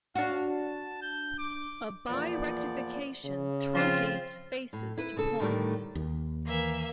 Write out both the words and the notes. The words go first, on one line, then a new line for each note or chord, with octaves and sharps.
A birectification truncates faces to points.
D4 F#4 F5
A5
G6
D6
E2 A#2 F3 B3 D5
C#3
F3 C4 F4
A2
E4 B4
C#3 A4
A2 D3 D#3 G3 A3 G4
D#2
E3 A#3 E5